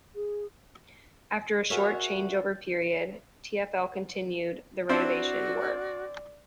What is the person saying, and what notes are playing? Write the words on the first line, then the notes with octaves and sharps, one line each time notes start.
After a short changeover period, TfL continued the renovation work.
G#4
F#4 G#4 A#4 C#5 E5
C4 D4 E4 F#4 D5